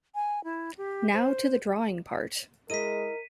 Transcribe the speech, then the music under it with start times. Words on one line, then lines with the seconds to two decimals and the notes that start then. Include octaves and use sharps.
Now to the drawing part.
0.15 G#5
0.44 E4
0.78 G4
1.13 C5
2.70 G#3 E4 A#4 D#5 B6 D#7